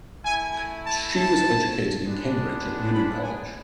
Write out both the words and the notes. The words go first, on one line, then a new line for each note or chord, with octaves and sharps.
She was educated in Cambridge at Newnham College.
A3 E4 G#5
G#5
A5
A5
G#3 B3 D4
B5
G#5